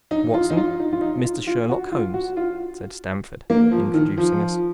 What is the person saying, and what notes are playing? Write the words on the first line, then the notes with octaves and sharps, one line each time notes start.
"Dr. Watson, Mr. Sherlock Holmes," said Stamford, introducing us.
D#4
F4
D#4
F4
D#4
F4
D#4
F4
F4
F#4
F4
F#4
F4
A#3
F3
D#3
F3